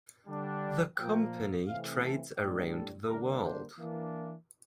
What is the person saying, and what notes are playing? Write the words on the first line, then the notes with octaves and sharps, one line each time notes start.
The company trades around the world.
D3 G3 D4
A#2 F3 A#3 G5
C3 E3 A3 C4 F5
A4
A2 G3 D4 G4
A4
D3 G3 A#3 D4 A#4
C5
E3 A#3 D4